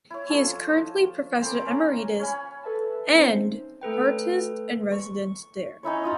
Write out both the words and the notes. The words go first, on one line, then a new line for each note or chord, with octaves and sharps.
He is currently Professor Emeritus and Artist in Residence there.
E4 C#5
F3 A4 A5 D#6
C4 A4 B5 D6
C#4 A#5
C#5 F5 G#5 B5
A4 B4 E5 A5
C4 C#4 D#4 C5
A3 A4 B4 G5
C#6
C#4 D#4 E4 C#5
D#4 F4 D#6